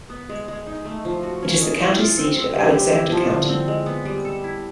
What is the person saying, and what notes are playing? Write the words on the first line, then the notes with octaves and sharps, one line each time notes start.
It is the county seat of Alexander County.
B3
G#3
G#3
D#4
A3
F3
F#4
C#4
G#3
E3
F4
C4
C4
G3
G4
E4
F3
D3
C4
G#3
B3
G3
A4
E4